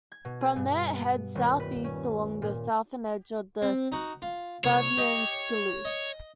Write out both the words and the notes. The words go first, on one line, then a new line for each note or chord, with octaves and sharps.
From there it heads south-east along the southern edge of the Baviaanskloof.
G#6
B2
G#4
G2
B3
D#1
B4
C#4
A#2
C4
D#4 F#4
F4
C2 C#5 D#6
G4 D#5
D#5